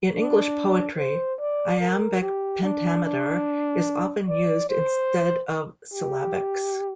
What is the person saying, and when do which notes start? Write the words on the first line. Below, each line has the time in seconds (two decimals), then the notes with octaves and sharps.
In English poetry, iambic pentameter is often used instead of syllabics.
0.15 D4
0.97 C5
1.40 D5
1.81 A#4
2.22 G4
2.63 D4
3.04 D4
4.29 D5
4.70 C5
5.94 G4